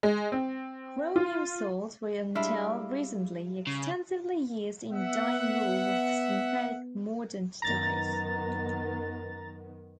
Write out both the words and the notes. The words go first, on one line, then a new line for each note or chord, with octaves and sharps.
Chromium salts were until recently extensively used in dyeing wool with synthetic mordant dyes.
G#3
C4
F4
G3 G#3 D4 E4 F5 B5
C#3
B3 E5 F#5
F#2 D#3 B3 A#5 A6